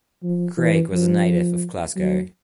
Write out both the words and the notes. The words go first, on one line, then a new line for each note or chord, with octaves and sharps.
Craig was a native of Glasgow.
F3
E3
F3
F#3